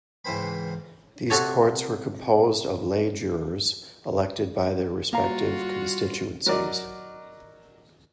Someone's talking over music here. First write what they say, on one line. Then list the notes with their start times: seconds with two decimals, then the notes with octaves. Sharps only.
These courts were composed of lay jurors elected by their respective constituencies.
0.25 C#2 G#2 E3 C4 C5 B5
1.30 C3 F#4 A4 C#5
5.13 G3 A#3 F4 F#4 F5 A#5
6.46 F#3 A#4 D5 D#5